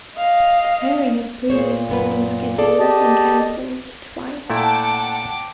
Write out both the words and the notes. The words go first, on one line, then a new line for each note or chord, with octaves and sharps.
The pairing has previously been scheduled and cancelled twice.
D#5 F5
A#2 G#4 C5 C#5
F#2 B3 B4
G#4 A4 D5
G4 D#5 A5
A#2 A3 E4 F#5 G5 A5 D6